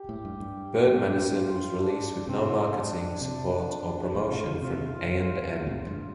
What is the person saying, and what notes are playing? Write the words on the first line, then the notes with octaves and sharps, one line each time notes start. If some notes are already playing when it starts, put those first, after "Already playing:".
"Bird Medicine" was released with no marketing, support or promotion from A and M.
Already playing: G4
A2
G2
G2
F4
D4
C3 C4
D4
C3 D4
A2 F4
C3
D3
C3 F4
F4
A2
C3
G2